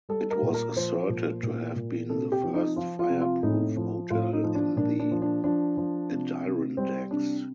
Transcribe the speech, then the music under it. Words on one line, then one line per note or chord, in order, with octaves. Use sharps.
It was asserted to have been the first fireproof hotel in the Adirondacks.
G3 A4
A#4
A#2
A#4
F3 C5
A#2
A#2
A#2
C3 A4
G4
F3
D#4
F3 F4
F4
C3
F4
A2 D#4
F3
A2 F4
D#4
F3
D4
A#2 D4
D4
F3
D4
F3 D4
F3
C3
C3
G3 C4
C3 D4